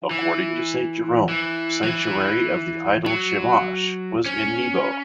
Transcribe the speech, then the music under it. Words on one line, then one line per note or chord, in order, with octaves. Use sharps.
According to Saint Jerome, the sanctuary of the idol Chemosh was in Nebo.
E3
E3
F#3
E3
F#3
C#4